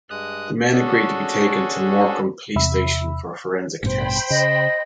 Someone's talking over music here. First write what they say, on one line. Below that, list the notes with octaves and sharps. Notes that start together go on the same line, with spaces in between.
The men agreed to be taken to Morecambe police station for forensic tests.
G2 G#3 D#6 F#6
C#4 D4 F#4 G#4 A4
E2 C3 E5 B5 E6
A1 G2 B2 C5 G5 B5
C#3 D#5